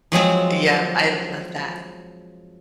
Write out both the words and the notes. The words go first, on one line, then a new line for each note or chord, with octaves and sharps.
Yeah, I love that.
F3 F#3 G#3 C4